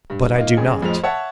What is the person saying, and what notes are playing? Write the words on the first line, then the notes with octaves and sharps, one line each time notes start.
"But I do not."
G2
A#3 D#4 F4
A1 C#3 G#4
F2 A2 F3 G#3 F7
C#5 E5 F#5 A5